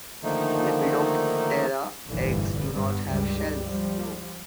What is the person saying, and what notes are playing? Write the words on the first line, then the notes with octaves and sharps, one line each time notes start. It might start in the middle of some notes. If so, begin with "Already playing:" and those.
Lepidoptera eggs do not have shells, though.
D3 D#3 F3 A3 A#3 D#4
F1 A#1 G2 D3 E3
G2 G3 B3
C#2 G2 C#3 G3
F3 G3